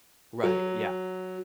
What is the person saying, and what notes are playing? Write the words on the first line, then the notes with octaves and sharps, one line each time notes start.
Right, yeah.
F#3